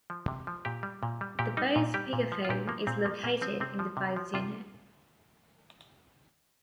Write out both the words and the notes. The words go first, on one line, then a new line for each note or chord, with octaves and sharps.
The base speakerphone is located in the base unit.
F3
C3
F3
A#2 G4
G3
A#2
G3
A#2 G4
G3 D#4
A#2
G3 G4
A#2
F3
F4
A#2 G4
F3 A#3
A#2 C4
F3 A#3
A#2 A#3
F3 C4
C3 C4
F3
C3
F3
C3 F4